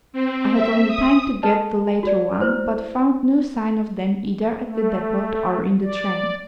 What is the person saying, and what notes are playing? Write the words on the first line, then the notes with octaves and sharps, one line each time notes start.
I had only time to get the later one, but found no sign of them either at the depot or in the train.
C4
E5
D#6
A4 B4 D#5 A5
F#4 D5
E4 B4 C5
A3
D5